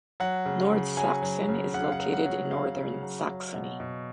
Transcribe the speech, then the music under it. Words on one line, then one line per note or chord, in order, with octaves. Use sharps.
Nordsachsen is located in northern Saxony.
F#3 F#5
C#3
C#3
F#3 G#5
F#3
C#3
C#3 F#5
F5
F#5
F#3
F#5
F#3
C#3 F5
C#3
F#3
F#3
B2
B2